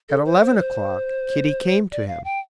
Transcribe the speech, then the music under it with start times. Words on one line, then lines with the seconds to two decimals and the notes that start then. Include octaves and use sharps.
At eleven o'clock Kitty came to him.
0.09 A4
0.25 C5
0.42 C5
0.59 C5
1.92 D5
2.08 F5
2.24 G5